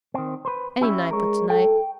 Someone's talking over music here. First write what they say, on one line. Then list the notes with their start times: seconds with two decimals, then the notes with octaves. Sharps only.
Any night but to-night.
0.14 D#3 C4
0.45 B4 C5
0.81 C#4 E4 G4
1.11 G#3 A#4 C#5
1.50 A4 G5